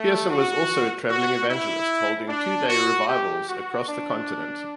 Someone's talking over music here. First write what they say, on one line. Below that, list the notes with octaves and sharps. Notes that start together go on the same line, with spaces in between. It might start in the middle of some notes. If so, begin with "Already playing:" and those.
Pearson was also a traveling evangelist, holding two-day revivals across the continent.
Already playing: A3
F#4
F#4
E4
D4
F#4
G4
F#4
D4